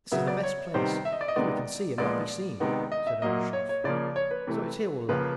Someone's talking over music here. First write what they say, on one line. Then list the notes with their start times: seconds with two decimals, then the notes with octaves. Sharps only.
'This is the best place; here we can see and not be seen,' said Ergushov, 'so it's here we'll lie.
0.11 C#3 F#3 B3 E5
0.28 D5
0.43 C#5
0.74 C3 D#3 G3 B3 C5
1.05 E5
1.12 D#5
1.21 D5
1.28 D#5
1.36 C3 D#3 G#3 B3 D5
1.98 A#2 F3 G#3 B3 D5
2.60 C3 D#3 G#3 B3
2.92 D#5
3.07 E5
3.22 A#2 F#3 A#3 D#5
3.53 C#5
3.69 C#5
3.84 C#3 F3 A#3 D5
4.16 C#5
4.31 B4
4.47 C3 E3 A3
5.09 C#3 F3 A#3 B4